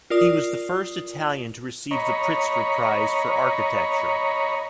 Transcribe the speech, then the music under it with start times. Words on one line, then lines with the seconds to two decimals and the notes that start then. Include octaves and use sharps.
He was the first Italian to receive the Pritzker Prize for architecture.
0.10 F4 A#4 D5 D#6
1.91 C#5 D#5 A#5 B5 C#6